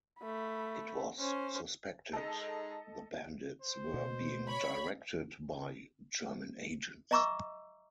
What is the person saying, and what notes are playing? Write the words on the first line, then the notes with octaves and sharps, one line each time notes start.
It was suspected the bandits were being directed by German agents.
A3 B5
C#4 C5
G#3 D#4 A4 D#5 A#5
C5
B2
C#5 B5
D#5 E5 A#5 C#6 D6 E6